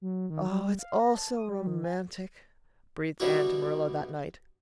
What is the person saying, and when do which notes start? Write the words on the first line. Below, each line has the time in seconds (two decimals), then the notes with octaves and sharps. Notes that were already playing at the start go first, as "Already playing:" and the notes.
"Oh, it's all so romantic," breathed Anne to Marilla that night.
0.01 F#3
0.30 D#3
0.48 F#3
0.62 G3
0.79 F5
1.00 A#6
1.15 A5
1.36 D#6
1.49 G3
1.67 D#3
1.84 G#5
3.20 B2 G3 D4 E4 F#4